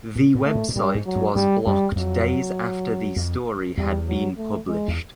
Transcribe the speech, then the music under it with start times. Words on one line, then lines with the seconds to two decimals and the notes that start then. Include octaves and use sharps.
The website was blocked days after the story had been published.
0.16 A#2
0.35 A2
0.45 A3
0.55 A2
0.69 A#2
0.75 A2 G3
0.95 G#2
1.06 F#3
1.16 G2
1.35 G2 G3
1.67 F#2 G3
1.92 F#2
1.96 F2 F#3
3.16 F2
3.78 E2 G3
4.07 F#3
4.38 A3
4.68 G#3
4.88 E2